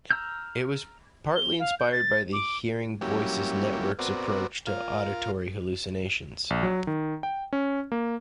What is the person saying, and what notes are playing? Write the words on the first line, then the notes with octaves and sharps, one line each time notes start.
It was partly inspired by the Hearing Voices Network's approach to auditory hallucinations.
A#5 E6 F6 G6
G7
F5
G6
A6
D6
F#3 G3 A#3 C#4 E4 G4
B3 C4 F#4 A#4 D5
F4 A#4 F5
A#1
F#3
D#3
G5
C#4
A#3